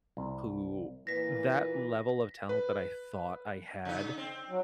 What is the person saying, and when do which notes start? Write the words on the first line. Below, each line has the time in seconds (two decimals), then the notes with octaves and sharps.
who that level of talent that I thought I had
0.17 C2
1.07 A#2 E3 B4 A#6 B6
2.49 B4
3.85 C#3 D#4
4.18 C4
4.49 F#3